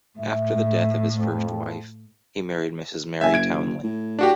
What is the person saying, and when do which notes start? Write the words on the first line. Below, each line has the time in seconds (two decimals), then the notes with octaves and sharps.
After the death of his first wife, he married Mrs. Mary Townley.
0.19 A2 E5
1.15 F2
3.21 F#1 E5 G#5
3.34 G#6 D7
3.83 A2
4.19 D4 F#4 G4